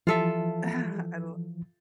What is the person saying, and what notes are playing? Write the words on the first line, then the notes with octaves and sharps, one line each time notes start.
Ah, I l
E3 F3 F4 A4 E5